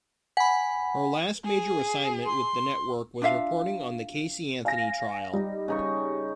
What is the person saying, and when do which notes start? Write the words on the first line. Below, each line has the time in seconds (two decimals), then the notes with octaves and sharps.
Her last major assignment with the network was reporting on the Casey Anthony trial.
0.37 F#5 G#5 B5 B6
1.45 G#4
2.26 C6
3.22 D4 F4 E5 F5
4.65 F5 G#5 A#6
5.33 G3 D#4
5.68 C#3 D#4 C#6